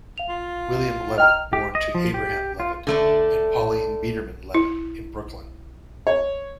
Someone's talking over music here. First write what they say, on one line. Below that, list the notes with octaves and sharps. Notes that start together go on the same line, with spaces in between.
William Levitt born to Abraham Levitt and Pauline Biederman Levitt in Brooklyn.
F5 F7
F4
D#5 G5 A#5 F6
G4
D#5
F3
G4
F4
D3 A3 D4
E4
C#5